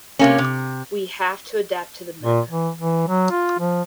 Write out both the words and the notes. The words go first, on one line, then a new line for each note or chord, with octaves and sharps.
We have to adapt to the meta.
C3 A#3 C#4
C3
A#2
E3
E3
F#3
F4
F3